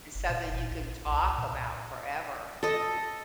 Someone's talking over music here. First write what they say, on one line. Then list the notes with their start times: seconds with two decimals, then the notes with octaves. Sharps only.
It's something you can talk about forever.
0.15 F#1
0.30 A#2
0.51 F#1
0.71 A#1
1.11 C2
1.38 A#2
2.63 A4 D#5